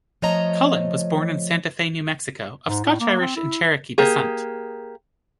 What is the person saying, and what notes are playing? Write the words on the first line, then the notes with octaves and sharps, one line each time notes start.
Cullin was born in Santa Fe, New Mexico, of Scotch-Irish and Cherokee descent.
F3 A3 C#5 D#5 A#5
G#2
A2
A#3
C4
E4
A#3 G4 G#4